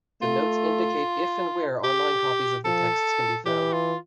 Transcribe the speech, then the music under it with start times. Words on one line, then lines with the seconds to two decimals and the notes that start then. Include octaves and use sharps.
The notes indicate if and where online copies of the texts can be found.
0.22 A3 F4
1.84 G4
2.65 F3 A4
3.46 E3 G4
3.73 F4